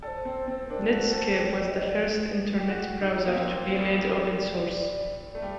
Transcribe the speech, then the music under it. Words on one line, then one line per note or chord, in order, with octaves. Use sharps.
Netscape was the first internet browser to be made open source.
A4 C5 D5
C4
C4
C5
D4 A#4
F#4
C5
A4
G4 C5
D5
D#5
D5
G4
F#4
D#4
A#3
C4 C5
A#3
D5
G3
G3 A#4
D5
D5
A3
G3